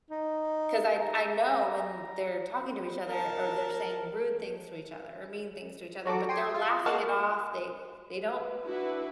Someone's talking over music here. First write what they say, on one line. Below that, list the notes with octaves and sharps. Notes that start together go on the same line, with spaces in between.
'cause I I know when they're talking to each other or they're saying rude things to each other or mean things to each other, but they're laughing it off, they they don't
D#4
A#5
A#4 A5
F#3 F#4 A4 D6
G5 C6 D#6 G#6
F4 F5
G#3 A#3 F#4 F5 A5 A#6
B4
D4 E4 F#4 B4 E5